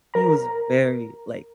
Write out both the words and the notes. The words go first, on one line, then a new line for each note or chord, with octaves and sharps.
he was very, like,
A#4 A#5